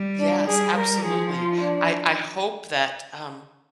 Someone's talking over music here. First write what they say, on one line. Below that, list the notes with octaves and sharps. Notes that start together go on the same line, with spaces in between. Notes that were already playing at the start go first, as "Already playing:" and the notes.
Yes, absolutely. I I hope that, um,
Already playing: G3
D4
G3 G#4
A#4
F3 G#4
F4
D4